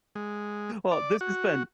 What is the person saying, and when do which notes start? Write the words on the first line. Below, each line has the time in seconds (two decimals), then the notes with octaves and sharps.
Well, this has been
0.15 G#3
0.92 D5
1.21 F#4